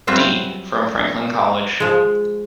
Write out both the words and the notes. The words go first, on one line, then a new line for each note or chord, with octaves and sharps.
D. from Franklin College.
F#3 G3 C4 F4 E5
F3 G#3